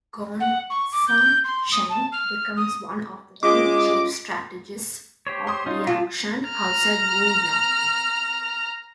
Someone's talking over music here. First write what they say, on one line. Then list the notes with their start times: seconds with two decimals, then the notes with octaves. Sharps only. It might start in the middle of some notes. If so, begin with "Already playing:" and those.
Gongsun Sheng becomes one of the two chief strategists of Liangshan alongside Wu Yong.
0.40 F#5
0.70 C#6
0.92 D6
1.07 G6
1.44 C6
1.72 D#6
1.89 A5
2.12 F6
2.56 D#6
3.43 G#3 C#4 F4 D#5 D6
5.27 G4 C5 C#5
5.47 C6 D#6
5.66 C#4 D#4 F4
5.87 F4 G4 G#4 A5
6.49 A#5 F6